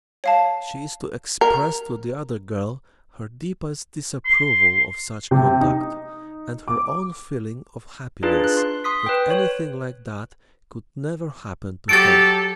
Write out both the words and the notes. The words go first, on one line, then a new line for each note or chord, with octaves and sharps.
She is to express to the other girl her deepest disapproval of such conduct and her own feeling of happiness that anything like that could never happen to her.
C#5 F5 A5
A#4
C6
C3
D#4
D6
D4 D#4 F4 G#4 B4
F#6
C6
C6 D#6 B6
B4 G5
C#5
F#3 G4 A4 A6 D7